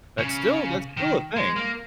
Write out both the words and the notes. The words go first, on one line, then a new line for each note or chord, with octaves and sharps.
That's still that's still a thing.
C#3
D#3
G#3
A#3